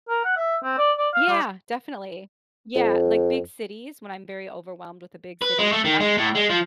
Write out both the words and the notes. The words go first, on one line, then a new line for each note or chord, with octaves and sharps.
Yeah. Definitely. Yeah. Like, big cities when I'm very overwhelmed with a big city. I love
A#4
F#5
E5
C4
D5
D5
F5
G3
F2
B4
G#3
A3
D#3
G#3
A2
G#3
F3